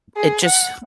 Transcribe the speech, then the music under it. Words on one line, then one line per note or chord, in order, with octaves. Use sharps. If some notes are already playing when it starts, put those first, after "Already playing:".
it just
G#4
F#5